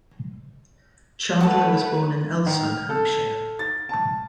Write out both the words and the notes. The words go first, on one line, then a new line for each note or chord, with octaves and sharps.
Chandler was born in Elson, Hampshire.
A3 B4 C#5 F#5 A5
D#3
F6
A4
A6
A5